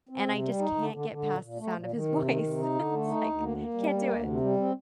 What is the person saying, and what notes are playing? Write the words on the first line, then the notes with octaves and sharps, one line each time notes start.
and I just can't get past the sound of his voice." It's, like, can't do it.
C4
C3
G3
D#4
D3
D3
D3
A#2
A#2
A3
A#2
D#3
C3
D#3
C3
D#4
D3
A3
D#4
D2
A#3
A#3
G3
A#3
D2
C3
G3
C4